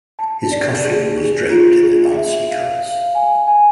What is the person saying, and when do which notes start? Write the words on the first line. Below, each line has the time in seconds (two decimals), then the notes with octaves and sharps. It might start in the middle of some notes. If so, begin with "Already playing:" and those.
His coffin was draped in the Nazi colours.
0.19 A5
0.52 D5
0.85 G#4
1.17 G#4
1.50 F4
1.83 G#4
2.16 E5
2.49 F5
2.82 F5
3.15 G#5
3.47 G#5